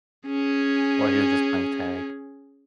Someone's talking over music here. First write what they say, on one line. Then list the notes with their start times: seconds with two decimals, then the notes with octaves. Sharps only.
or he was just playing tag.
0.27 C#4 G#4